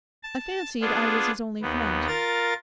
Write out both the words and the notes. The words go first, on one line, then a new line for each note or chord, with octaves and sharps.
I fancied I was his only friend.
A5
B3 D4 F4 G#4
D#2 B3
F4 A#4 A6